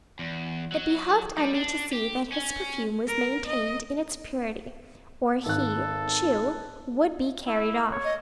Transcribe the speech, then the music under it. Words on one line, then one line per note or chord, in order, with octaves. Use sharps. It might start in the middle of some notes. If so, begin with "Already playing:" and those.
It behoved Undy to see that his perfume was maintained in its purity, or he, too, would be carried off.
E2
F#3
G3
D4
G4
C#4
A#4
D#5
G#1 A4 F#6
E4
C#5
D#5